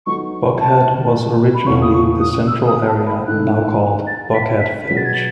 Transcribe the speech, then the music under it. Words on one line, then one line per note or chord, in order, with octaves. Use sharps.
Buckhead was originally the central area now called "Buckhead Village".
F#3 B3 D#4 F#4 A4 C#6
A5
B5
E2 C#3 E3 A3 C#4 C#6
D#6
C#6
D#6
E6
D#6
A5
B5
G#2 D#3 A3 E4 F#6
A6
B6
B6
B2 F#3 C#4 G#4 B4 B6
A6
G#6
A6